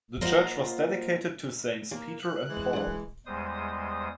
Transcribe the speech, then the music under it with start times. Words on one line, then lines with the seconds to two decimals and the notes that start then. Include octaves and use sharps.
The church was dedicated to Saints Peter and Paul.
0.21 A#3 F4 C5 D#5 F5 F#5
1.92 D#2 A#3
2.20 F#6
2.49 E3 G#3
2.73 G2 A3
3.26 E2 G3 G#3 C5 D#6